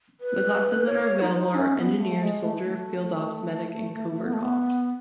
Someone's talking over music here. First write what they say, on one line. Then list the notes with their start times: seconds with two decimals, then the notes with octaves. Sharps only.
The classes that are available are engineer, soldier, field ops, medic, and covert ops.
0.21 B4
0.88 C#5
1.21 D#4
1.55 C#4
1.77 B3
2.00 A3
2.23 G#3
2.44 A3
2.67 A3
4.25 B3
4.33 A3
4.42 B3